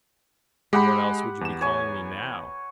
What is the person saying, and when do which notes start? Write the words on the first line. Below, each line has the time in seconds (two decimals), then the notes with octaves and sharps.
"And what else would you be calling me now?"
0.73 G#3 G4 F#5 B5
1.41 E2 E7
1.61 C#5 G#5